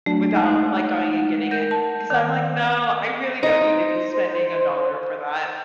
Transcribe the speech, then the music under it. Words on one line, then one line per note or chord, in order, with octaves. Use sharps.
without, like, going and getting it, 'cause I'm, like, "No, I really don't need to be spending a dollar for that."
F#3 A3 D4
G#3 D#4 F#5
A#4 G6
A5
D#3 D5 F5 F#5
D#4 C5